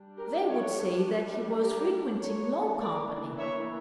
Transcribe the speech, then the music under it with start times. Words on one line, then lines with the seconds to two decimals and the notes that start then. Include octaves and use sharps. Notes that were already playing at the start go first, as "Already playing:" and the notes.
They would say that he was frequenting low company.
Already playing: G3 D4
0.17 G4 A#4
0.46 A4 C#5
1.63 G4 A#4
2.22 E3 A#3 D4 A4 C#5
2.80 A#4 D5
3.38 C#5 E5